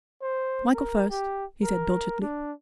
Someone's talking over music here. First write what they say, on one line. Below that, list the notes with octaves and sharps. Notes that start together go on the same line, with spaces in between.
"Michael first," he said doggedly.
C5
A#4
G4
A#4
D4